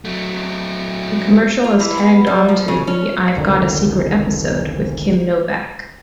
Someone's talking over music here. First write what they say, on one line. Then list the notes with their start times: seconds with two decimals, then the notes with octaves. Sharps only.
The commercial is tagged onto the I've Got a Secret episode with Kim Novak.
0.05 F#3 A3
1.64 F4
1.80 E3
1.98 B3
2.27 G3
2.48 F3
2.68 C#3
2.87 C#4
3.36 E1 C2 D3 D#3